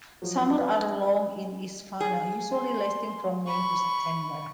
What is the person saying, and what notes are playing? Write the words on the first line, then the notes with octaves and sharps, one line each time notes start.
Summers are long in Isfana, usually lasting from May to September.
F3 F#3
B4
G#4
C6
B5 C#6